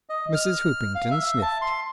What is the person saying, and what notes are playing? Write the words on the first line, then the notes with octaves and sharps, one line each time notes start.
Mrs. Hoopington sniffed.
D#5
F6
F5
E5
A5
C6